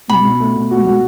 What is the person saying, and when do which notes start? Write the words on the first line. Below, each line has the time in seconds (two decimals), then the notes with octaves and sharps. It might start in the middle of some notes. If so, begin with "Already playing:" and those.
Mhm, mhm.
0.09 B2 B5
0.25 B2
0.40 A3
0.56 B2
0.71 F#4
0.86 F#4